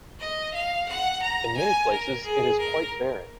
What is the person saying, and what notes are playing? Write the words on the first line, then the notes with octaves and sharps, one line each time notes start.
In many places it is quite barren.
D#5
F5
F#5
A#5
G#5
A#4
G#4
A#4